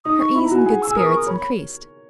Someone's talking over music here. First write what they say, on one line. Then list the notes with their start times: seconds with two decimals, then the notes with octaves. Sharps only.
Her ease and good spirits increased.
0.05 D#4 D#6
0.20 C#6
0.35 E4 B5
0.46 A#5
0.51 F#4 G#5
0.65 G#4 F#5
0.82 E6
0.87 G#4
0.96 A#4 D#6
1.06 C#6
1.16 D#6
1.27 C#5 B5
1.37 B5